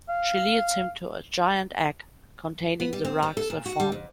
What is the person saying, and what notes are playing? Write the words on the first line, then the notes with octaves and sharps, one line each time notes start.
She leads him to a giant egg containing the RahXephon.
F5
B3
G3
C4
G3
A4
A#2
F#4
G3
F2